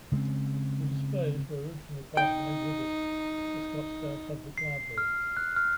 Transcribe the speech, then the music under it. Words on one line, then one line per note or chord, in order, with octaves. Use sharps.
The displays were originally part of an exhibit at the Scottsdale Public Library.
C#3 G#3 A#3 C4
D#4 G5
C7
F6
F#6
F6